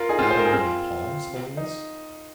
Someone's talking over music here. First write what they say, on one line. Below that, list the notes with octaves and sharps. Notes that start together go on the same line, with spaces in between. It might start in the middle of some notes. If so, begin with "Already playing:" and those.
"That among the palms, Holiness?"
Already playing: F4 A#4
D#4 G#4
C4 F4
C5
A#4
G#4
C4 F4
D#4